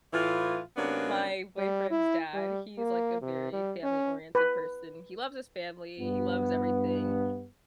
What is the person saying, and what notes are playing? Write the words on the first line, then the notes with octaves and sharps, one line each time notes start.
my boyfriend's dad, he's, like, a very family-oriented person. He loves his family, he loves everything,
A2 E3 F4
C3 F#3 A#3 B3 C#4 D4
G3
E4
G3
A#3
C3
G3
C#4
B4
G2 B3